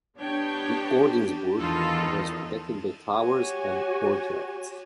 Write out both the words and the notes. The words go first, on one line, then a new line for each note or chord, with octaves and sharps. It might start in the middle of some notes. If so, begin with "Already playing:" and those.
The Ordensburg was protected by towers and courtyards.
B3 D4 G4 C#5 G5
E2 D#3 D#4 F4 A4
F#4 G4 C#5 G#5